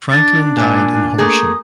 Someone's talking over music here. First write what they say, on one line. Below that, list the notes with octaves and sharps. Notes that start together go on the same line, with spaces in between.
Franklin died in Horsham.
D4 A6
A#2 A#3 G#5
A3 A#3 G#4 D#6